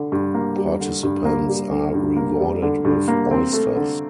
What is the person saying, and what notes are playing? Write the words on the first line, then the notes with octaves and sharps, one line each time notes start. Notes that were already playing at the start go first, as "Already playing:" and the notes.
Participants are rewarded with oysters.
Already playing: D3
G2
A#3
G3
D3
G2
A#3
G3
D3
G2
A#3
G3
D3
G2
A#3
C4
A3
D3